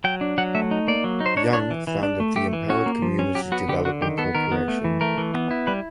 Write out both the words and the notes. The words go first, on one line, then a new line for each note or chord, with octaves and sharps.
Young founded the Empowered Community Development Corporation.
F#3 G5
D4
F#3 F#5
A3 E5
D#4
A#3 D5
F#3
D#4
C5
D4 C#5
D4 C#5
E3
E3
D4
A3
A3 G4
E3
C#4 F#4
A#3
F3
C#4
F#3 G4
B3 F#4
D3 G4
D3 F#4
D#3 G4
B3 A4
D#3 A#4
B3
A3
E3
A3 A#4
E3
B3
E4
G3 B4